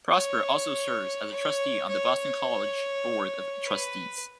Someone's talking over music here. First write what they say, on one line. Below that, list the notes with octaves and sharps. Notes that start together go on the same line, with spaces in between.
Prosper also serves as a trustee on the Boston College Board of Trustees.
C#5
C#5
C#5
B4